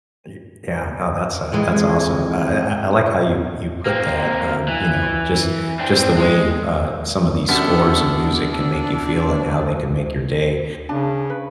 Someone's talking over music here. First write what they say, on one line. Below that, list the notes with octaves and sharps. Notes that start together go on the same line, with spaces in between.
Ye yeah, no, that's, uh, that's awesome. I I I I like how you you put that, um you know, just just the way, uh, some of these scores and music can make you feel and how they can make your day.
F2 E3 G#3
A#3 C4
E3
C4 D4
G#3
F#2 B3 D4 G4 A4
C#3 D4 A5
B4